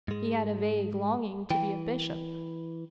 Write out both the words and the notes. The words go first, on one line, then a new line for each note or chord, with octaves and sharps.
He had a vague longing to be a bishop.
G#2 G#3
E3 G5